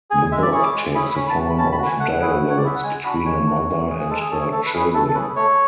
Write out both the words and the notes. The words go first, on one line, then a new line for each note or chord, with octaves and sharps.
The book takes the form of dialogues between a mother and her children.
G#4 G#5
G#3 E5
D5
C#4 E4 G#4 C#6
D6
G#3
C#4 E4 G#4 B5
C#4 B5
A5
F#4
B5
C#4 A5
B5
F#4
G#5
A3 F#5
C#4 E4 G#4
A3
C#5
D5
C#4 E4 G#4 E5
F#5
G#3 G#5
D4 F#4 B5
G#3 C#5
D4 F#4
G#3
C#4 G#4
G#4
G#3 A4
G#4
C#4 G#4 A4
C#5
A3 A4
B4
C#4 E4 G#4
B4
A3 A4
A4
C#4 E4 G#4 B4
A3 C#5